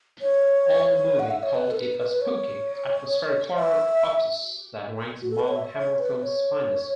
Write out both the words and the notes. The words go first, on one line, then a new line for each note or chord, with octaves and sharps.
AllMovie called it a spooky, atmospheric horror opus that ranks among Hammer Films' finest.
C#5
F#5
E5
C#5
B4
A4
B4
B4
B4
C#5
E5
F#4
A4
B4
C#5
E5
C#5
B4
C#5